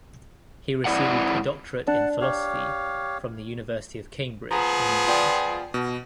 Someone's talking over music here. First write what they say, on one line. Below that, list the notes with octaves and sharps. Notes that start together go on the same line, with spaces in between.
He received a doctorate in philosophy from the University of Cambridge in England.
G#2 C4 E4 B4 D5 F#5
D4 F#5 A5
G4 C#5 F5
F3 B3 G#4 A#5
F4 D5 G5
B2